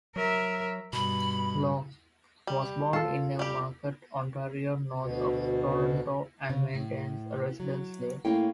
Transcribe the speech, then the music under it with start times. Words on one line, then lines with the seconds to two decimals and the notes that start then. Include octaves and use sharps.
Locke was born in Newmarket, Ontario, north of Toronto, and maintains a residence there.
0.16 F#3 A#4 E5
0.93 G2 B2 B5
2.47 G3
2.93 F4 A4 A5
3.39 G3 G4
5.03 D2 B2
6.50 C#3
6.75 A2
7.60 F#3
8.25 A2 A#3 C#4 G5